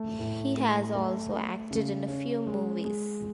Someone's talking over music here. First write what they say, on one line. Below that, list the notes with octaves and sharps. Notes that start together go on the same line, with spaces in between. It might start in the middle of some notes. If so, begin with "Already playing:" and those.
He has also acted in a few movies.
Already playing: A3
A2
A3
A3
A3
C#3
C#4
G#3
G#3